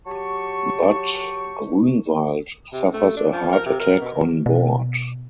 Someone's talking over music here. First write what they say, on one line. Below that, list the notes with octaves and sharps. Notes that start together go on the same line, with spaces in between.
But Gruenwaldt suffers a heart attack on board.
F#3 G4 A5 C#6
C3
A3
D4
F3
A#4
C3
A#4
B2
B2